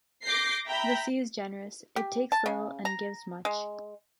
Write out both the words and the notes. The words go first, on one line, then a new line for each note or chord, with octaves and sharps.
The sea is generous - it takes little and gives much.
D6 G6 A#6 C7
E5 G5 A#5 B5 G6
G4
A5
C#3
A#5
G#3